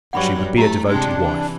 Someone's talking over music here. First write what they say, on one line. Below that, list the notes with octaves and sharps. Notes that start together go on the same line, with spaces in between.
She would be a devoted wife.
G2 F#3 F#5 B5 C#6
A3 E4 G4 A#5
C3 G#3 D4
E3